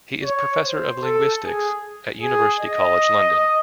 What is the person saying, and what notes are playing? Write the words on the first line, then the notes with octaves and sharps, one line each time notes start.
He is Professor of Linguistics at University College London.
C#5
C5
A4
G#4
G#4
D#5